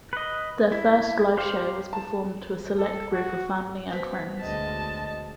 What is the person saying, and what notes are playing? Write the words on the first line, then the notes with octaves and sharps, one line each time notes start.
Their first live show was performed to a select group of family and friends.
B4 D#5
E4
G4 C5 F5 C6
A5
A4
F#4
B2 C4 B6
D2 G#3 D#5 A5